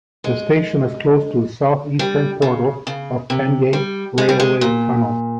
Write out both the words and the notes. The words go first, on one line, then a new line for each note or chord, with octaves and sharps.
The station is close to the South-Eastern portal of Penge Railway Tunnel.
G#3
G3
C#3
C#3
C3
G3
G#3
G3
G#3
A#2